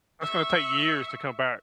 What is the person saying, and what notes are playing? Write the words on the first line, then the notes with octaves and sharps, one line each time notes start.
that's gonna take years to come back.
E5 C#6